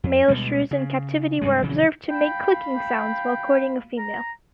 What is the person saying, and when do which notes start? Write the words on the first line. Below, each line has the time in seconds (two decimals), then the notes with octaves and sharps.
Male shrews in captivity were observed to make clicking sounds while courting a female.
0.04 F2
0.28 D2 B2 G3 G#3
0.71 C#3
1.41 G2 C3 G#3
1.62 A#1 C#3 E3 F#3
2.10 F5 G5 B5
2.76 G5
3.98 A#5